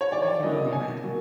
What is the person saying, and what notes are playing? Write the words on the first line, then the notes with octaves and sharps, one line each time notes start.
I can only imagine.
C#5
D#3 D5
C#5
D5
F#3 A#3 C#4 E4 D#5
D#5
D#3 G#5
F#3 A#3